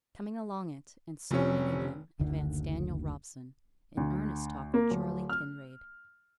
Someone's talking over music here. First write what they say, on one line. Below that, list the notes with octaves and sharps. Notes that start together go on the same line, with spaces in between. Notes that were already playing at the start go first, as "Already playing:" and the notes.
Coming along it, and so meeting him, advanced Daniel Robson, in earnest talk with Charley Kinraid.
F1 C3 C#4
F#1 D2 D3 D#3
D2
A#3
D1
F6